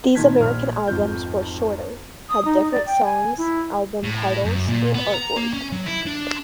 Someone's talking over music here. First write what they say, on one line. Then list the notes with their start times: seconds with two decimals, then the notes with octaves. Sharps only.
These American albums were shorter, had different songs, album titles and artwork.
0.15 A#2 D#3 A5 G#6 B6
0.40 A#1 F6
0.87 G#1 F2 F4 G6
2.30 D#6
2.45 D#4
2.72 D5
2.86 G5
3.05 G#5
3.38 E4
4.04 A2
4.45 F#2
4.68 A#2
4.94 B3
5.14 A#5
5.37 A#3
5.53 C#4
5.72 F#3
5.86 E4
6.07 D4